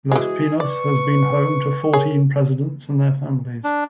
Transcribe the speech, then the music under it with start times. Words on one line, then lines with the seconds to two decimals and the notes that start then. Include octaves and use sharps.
Los Pinos has been home to fourteen presidents and their families.
0.12 E3 G#3 F#4 G#4
0.60 B4 D5 C#6
1.93 G#4 A#4 C#5
3.64 D4